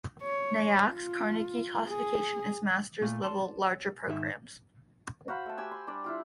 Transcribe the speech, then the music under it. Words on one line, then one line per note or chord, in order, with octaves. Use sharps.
Nyack's Carnegie Classification is Master's Level - Larger Programs.
C#5
F4
G#4
A#2 A3 F5
D5 A5 C6
G#2 D#3 D#4 A4 E5
F#4 C5 F5 B5
A3 A5
G4 G5 G#5 E6
C6
G3 D4 D5
E4 F4 G4